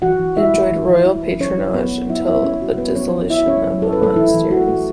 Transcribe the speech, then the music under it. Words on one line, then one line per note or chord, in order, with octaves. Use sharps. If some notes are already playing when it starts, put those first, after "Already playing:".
It enjoyed Royal Patronage until the dissolution of the monasteries.
E3 F#4 F#5
E3
E4 E5
A3
E3
E3
E4
A3
F#3 C#4 C#5
E4
B3 C#4 B4
A3
F#3 E4 E5
E4 E5
C#4 C#5
A3 F#4
F#3 B3 B4
F#3 C#4 C#5
E4
C#4 E4 E5
F#3 C#4 C#5
F#3
E4 A4
B4
A3 C#4 A4
E3 E4
E3
E4 F#4
A3